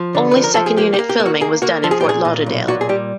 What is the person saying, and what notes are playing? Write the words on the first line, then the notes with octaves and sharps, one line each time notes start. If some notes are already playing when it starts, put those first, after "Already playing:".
Only second unit filming was done in Fort Lauderdale.
Already playing: F3
D3
F3 B4
A#4
F3 A4
G#4
A#3 G4
G4
A#3
G4
A#3
F#4
A#3 G#4
A#3 F#4
F3 A4
G#4
G4
A#2
G#4
A#2
B1
A#2 F#4
G#4
G3 G4